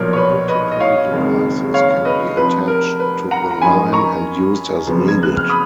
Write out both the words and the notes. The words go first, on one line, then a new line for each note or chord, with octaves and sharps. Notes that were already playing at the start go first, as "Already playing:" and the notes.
Multiple devices can be attached to the line, and used as needed.
Already playing: B1 A#2 F3 A#4 C#5
C#5
B4
B4 D#5
D#5
C#5 F5
F#1 F2 D#3 G#3
C#5 F5
B4 D#5
F1 F2 F3 B4
A#4
B4
F#5 A#5
A#5
F#2 F3 A#3 D#4 G#5 B5
A#5 C#6
F#1 F2 F3 B3
G#6
F#6
F6
B5 D#6